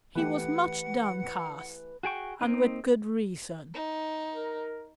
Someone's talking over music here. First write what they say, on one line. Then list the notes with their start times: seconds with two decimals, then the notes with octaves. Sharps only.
He was much downcast and with good reason.
0.15 E3 A3 G4 B4 F#5
2.03 F#4 G#4 G5 C#6
2.41 A#3 C4 D#4
3.74 D#4
4.34 A#4